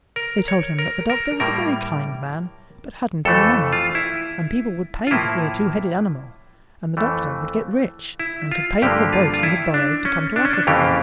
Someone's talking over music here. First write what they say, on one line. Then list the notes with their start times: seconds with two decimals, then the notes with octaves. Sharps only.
They told him that the Doctor was a very kind man but hadn't any money; and people would pay to see a two-headed animal and the Doctor would get rich and could pay for the boat he had borrowed to come to Africa in.
0.16 A#4
0.48 C#5
0.79 A#4
1.10 A#4
1.40 A2 G3 A#3 A#4
3.25 F2 E3 A3 A4
3.73 F4
3.95 E4
5.07 F4
5.11 A2 F3 A#3 E4
6.97 F2 E3 A3
8.19 E4
8.51 F4
8.82 G2 D3 F3 A#3 G4
9.13 F4
9.34 F4
9.43 E4
9.74 D4
10.05 C#4
10.36 D4
10.45 C#4
10.53 D4
10.67 F2 C#3 E3 A#3 G4